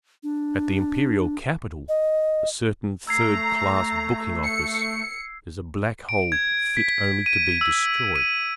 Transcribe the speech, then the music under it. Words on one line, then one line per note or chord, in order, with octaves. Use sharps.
At the Imperial Capital a certain third class booking-office is a Black-Hole fit only to be destroyed.
D4
D#5
A3 A#5 E6 G#6 C7
C#7
D7
G#6
B6
D#7
E6
D#7